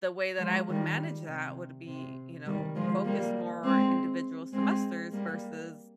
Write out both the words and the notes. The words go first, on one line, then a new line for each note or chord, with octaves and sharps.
The way that I would manage that would be, you know, focus more individual semesters versus
F3 G#3
D#3 G3
C3
C3
D#3 G3
F3 G#3
G3 A#3
G#3 C4
G#3 C4
G3 A#3